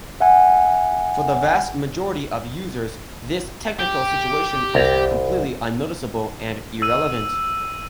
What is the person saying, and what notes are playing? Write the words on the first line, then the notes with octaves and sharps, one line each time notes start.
For the vast majority of users this technical situation is completely unnoticeable and irrelevant.
E5 F#5 G#5
G4
C2 A#5
E6 D#7